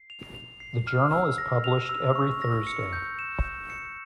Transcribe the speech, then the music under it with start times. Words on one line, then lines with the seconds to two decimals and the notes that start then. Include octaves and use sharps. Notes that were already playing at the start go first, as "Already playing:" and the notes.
The journal is published every Thursday.
Already playing: C7
0.10 F7
0.35 F7
0.60 C7
0.87 F6
1.13 E6
1.38 A#6
1.64 F7
1.89 E6
2.15 C#6
2.42 A#6
2.67 C#7
2.93 G6
3.19 E7
3.44 G6
3.70 C#7